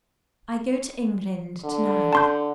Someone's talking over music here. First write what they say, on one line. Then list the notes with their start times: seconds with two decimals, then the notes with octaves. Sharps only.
"I go to England to-night."
1.65 D3
2.13 A5 C6 G6